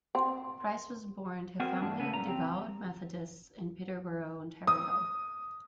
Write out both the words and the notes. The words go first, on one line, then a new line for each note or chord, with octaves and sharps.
Price was born to a family of devout Methodists in Peterborough, Ontario.
C4
B3 C4 F#4 G#4 A#4 C5
E2 G2 D4
C#3 A3 B3 G#5
A#2 C#3 A#5
C4
D#6